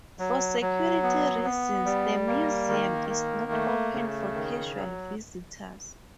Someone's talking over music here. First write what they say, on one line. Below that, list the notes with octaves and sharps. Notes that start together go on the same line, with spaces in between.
For security reasons, the museum is not open for casual visitors.
F#3
F#3
B3
B3
G3
A#3
D#3
A#3
A3
C#3
D#3
F#3